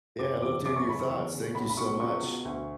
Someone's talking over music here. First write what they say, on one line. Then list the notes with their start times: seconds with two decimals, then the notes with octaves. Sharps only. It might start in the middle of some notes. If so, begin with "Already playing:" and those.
Yeah, I loved hearing your thoughts. Thank you so much.
0.19 F#1 D6
0.42 E2 D6
0.65 F#2 D6
0.76 C#6
0.87 C#3 B5
1.00 C#6
1.10 E2
1.33 C#3
1.55 B1 B5
1.70 B5
1.77 B2 C#6
2.00 C#2 C#6
2.23 B2
2.45 D2